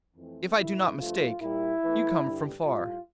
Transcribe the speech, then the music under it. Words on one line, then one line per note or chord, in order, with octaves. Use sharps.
'If I do not mistake, you come from far.
F2 E3 A3 C4
A2 E3 G3 E4
G2 F3 A3 F4
A#2 G3 E4
E2 E3 A3
G2 D3 G3
A2 G3 F4